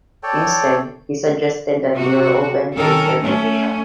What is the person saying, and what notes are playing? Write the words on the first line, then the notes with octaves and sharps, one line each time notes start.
Instead, he suggested that they were open to interpretation.
A4 C#5 D5 G5
C3 F#4
D#3 C#4 A4 A#4
A3 C#4